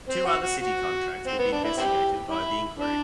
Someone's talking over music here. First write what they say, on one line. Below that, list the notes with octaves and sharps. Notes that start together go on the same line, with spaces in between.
Two other city contracts will be investigated by the Inquiry.
C4
F#4
F#4
F#4
C4
B3
D4
E4
C4 E4 G4
E4
D4